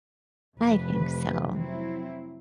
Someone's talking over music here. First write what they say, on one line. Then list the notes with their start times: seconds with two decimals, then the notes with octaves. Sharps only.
I think so.
0.59 F1 F2 E3 B4
1.54 F#3 C4 E4